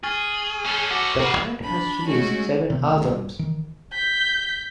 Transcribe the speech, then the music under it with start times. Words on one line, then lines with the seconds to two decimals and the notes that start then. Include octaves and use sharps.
The band has released seven albums.
0.04 G#4 C#6 F6 A6
0.66 C#4 A4
0.91 F#4 D6
1.20 A#4 B4 C7
1.64 D4 B5
2.05 G#3 A3 C#4 F#4
2.70 C3 D#3 B3
2.87 D1 D3 D#3 A3
3.09 G2
3.39 D#3 E3
3.93 G6 B6